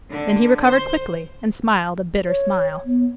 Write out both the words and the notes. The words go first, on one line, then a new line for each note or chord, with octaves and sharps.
Then he recovered quickly and smiled a bitter smile.
D3
C5
C#5
B3